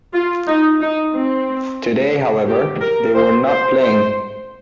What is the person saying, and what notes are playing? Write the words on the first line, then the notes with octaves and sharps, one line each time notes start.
Today, however, they were not playing.
F4
D#4
D#4
C4
G4
A#4
C5
C5
C5